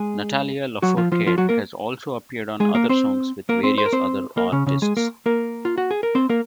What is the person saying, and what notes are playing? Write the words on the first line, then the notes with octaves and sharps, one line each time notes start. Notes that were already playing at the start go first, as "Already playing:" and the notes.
Natalia Lafourcade has also appeared on other songs with various other artists.
Already playing: G#3 G#4
F#3 F#4
F3 F4
F3 F4
F3 F4
F#3 F#4
A#3 A#4
G#3 G#4
A#3 A#4
C4 C5
A#3 A#4
C4 C5
C5
A#4
C4 C5
A#3 A#4
C#3 C#4
C#3 C#4
G#3 G#4
A#3 A#4
A#3 A#4
F4
F#4
G#4
A#4
C4 C5
A#3 A#4